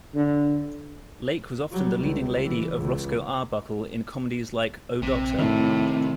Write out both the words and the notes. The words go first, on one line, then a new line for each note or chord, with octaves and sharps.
Lake was often the leading lady of Roscoe Arbuckle in comedies like Oh Doctor!
D3
F#3 G3
C#2
E3
C#2
A#1 C3
A2 D#3